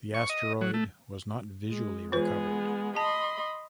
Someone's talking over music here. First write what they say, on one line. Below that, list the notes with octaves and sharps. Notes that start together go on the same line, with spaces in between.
The asteroid was not visually recovered.
C#6
D#5
F#3
A3
G#3
E3 G#3 B3 F4 G#4 B4
D#5 A5 B5 C6